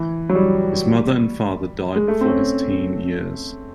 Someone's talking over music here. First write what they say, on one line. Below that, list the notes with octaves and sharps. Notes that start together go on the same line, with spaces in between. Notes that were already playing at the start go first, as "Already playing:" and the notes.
His mother and father died before his teen years.
Already playing: E3
F#3
G3
G#3
A3
C4
C#4